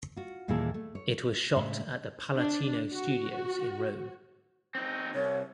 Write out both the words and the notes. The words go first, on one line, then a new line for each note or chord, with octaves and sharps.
It was shot at the Palatino Studios in Rome.
F4 F#4
D#2 A#2 E3 E4 G#4 A4
A3
C#5
A2 C#3 G#3 E5
D4
F#4
C4 D#4
C2 C#5